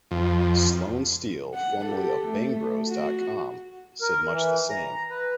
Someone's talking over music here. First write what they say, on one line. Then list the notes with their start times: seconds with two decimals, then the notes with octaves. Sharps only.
Sloane Steel, formerly of Bangbros dot com, said much the same.
0.11 F2
1.54 F#5
1.85 G4 A4
2.28 A3
2.88 F#4
4.02 A#4
4.31 E3
4.70 A#5
5.10 B4